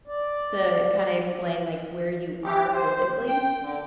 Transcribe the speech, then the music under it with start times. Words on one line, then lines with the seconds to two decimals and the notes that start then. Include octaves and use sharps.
to kinda explain, like, where you are physically
0.08 D5
2.45 G4
2.72 C5
3.13 F2
3.27 G5
3.61 D3